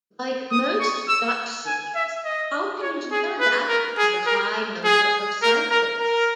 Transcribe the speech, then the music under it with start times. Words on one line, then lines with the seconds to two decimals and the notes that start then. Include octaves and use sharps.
Like most Dutch cities, Houten is well adapted to the high number of cyclists.
0.51 D#6
0.80 C#6
1.08 E6
1.66 G#5
1.95 E5
2.24 D#5
2.82 C#5
3.11 G#4
3.40 B4
3.68 A#4
3.97 G#4
4.26 A#4
4.84 G#4
5.42 A#4
5.70 A#4
5.99 A#4